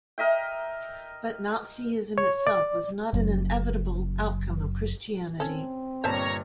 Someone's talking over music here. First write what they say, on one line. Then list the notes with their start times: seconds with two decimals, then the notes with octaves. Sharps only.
But Nazism itself was not an inevitable outcome of Christianity.
0.18 A#4 D#5 E5 G5
2.18 C#5
2.47 D5
3.13 F#1 F#2
5.40 C4 C#4 A4
6.04 G1 A#2 G3 C5 C#5 E5 A5 A#5